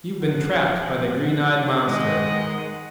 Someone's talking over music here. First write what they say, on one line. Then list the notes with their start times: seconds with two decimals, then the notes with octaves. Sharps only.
You've been trapped by the green-eyed monster.
0.21 F3 F#5
1.85 D#3 G#3 D#5